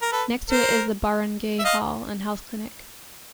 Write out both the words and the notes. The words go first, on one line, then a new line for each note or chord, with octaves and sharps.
Next to it is the barangay hall and health clinic.
A#4
A4 B4
A#4 C5
E5
D#5 F5